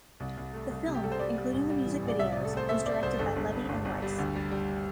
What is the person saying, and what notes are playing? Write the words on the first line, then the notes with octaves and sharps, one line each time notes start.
The film, including the music videos, was directed by Levey and Weiss.
C2
C2
A3
C2
C3
G4
C2 A4
C5
G3 D5
G3
A1
G3
E3
A1
D5
C2 E5
D5
C3
A4
A3 C5
A3 E5
A3 D5
C2 C5
G1 A4
G1
G2
G1
G1
G3
D2
G3
G3